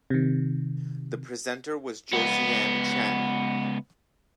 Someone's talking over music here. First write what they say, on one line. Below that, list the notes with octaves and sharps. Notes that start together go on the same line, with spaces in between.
The presenter was Josiane Chen.
C3 D#3
C#2 B3